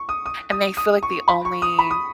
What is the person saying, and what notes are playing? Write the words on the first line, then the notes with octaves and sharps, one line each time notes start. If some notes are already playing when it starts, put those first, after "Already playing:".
and they feel like the only
Already playing: C#6
D#6
D#6
D#6
D#6
C#6
B5
C#6
D#6
B5
D#6